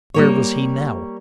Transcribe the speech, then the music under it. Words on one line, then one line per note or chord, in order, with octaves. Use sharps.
Where was he now?
G3 A#3 C#5